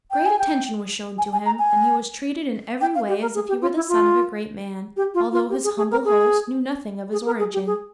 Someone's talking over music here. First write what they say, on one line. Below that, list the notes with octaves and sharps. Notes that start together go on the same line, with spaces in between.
Great attention was shown to him, and he was treated in every way as if he were the son of a great man, although his humble host knew nothing of his origin.
G5
G#5
G5
G#5
G#5
A#5
G#5
G5
F5
G4
A#4
G#4
G4
F4
E4
F4
G4
F4
F4
G4
G#4
G#4
A#4
G#4
G#4
A#4
G#4
G4
G#4